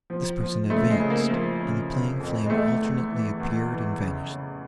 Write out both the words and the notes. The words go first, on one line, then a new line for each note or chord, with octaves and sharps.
This person advanced, and the playing flame alternately appeared and vanished.
F3
F3
C#3 A3
G#3
C#3
A#3
F3 A#3
C#3
C#3
F2
G#3
E2 A3
E2
E3
E2
E3
C#3
C#3